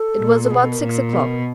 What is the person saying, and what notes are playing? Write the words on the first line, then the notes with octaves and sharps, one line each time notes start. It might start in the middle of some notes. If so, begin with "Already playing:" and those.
It was about six o'clock.
Already playing: A4
A#2
A4
B2 G#4
A4
A#4
A#2
B2